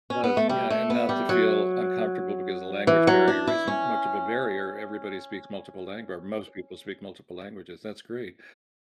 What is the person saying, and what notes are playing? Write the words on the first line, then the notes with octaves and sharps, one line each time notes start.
It does. Yeah, and not to feel uncomfortable because the language barrier isn't much of a barrier. Everybody speaks multiple lang or most people speak multiple languages. That's great.
C#4
B3
A3
G3
A3
B3
G3
F#3
E3
F#3
D4
E4
C#4